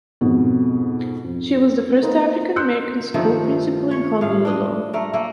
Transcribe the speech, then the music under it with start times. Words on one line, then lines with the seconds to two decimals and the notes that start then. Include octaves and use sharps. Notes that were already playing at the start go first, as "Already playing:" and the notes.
She was the first African American school principal in Honolulu.
0.21 F2 G#2 B2
1.24 F2
2.02 A#3 D#4 B4 C5
2.56 C6 E6 F#6 G6 C#7
3.14 G2 D#3 F3 A3
3.91 C#5
4.21 A2 F5
4.45 D4 D#5
4.93 A3 A#4
5.13 A3 A#3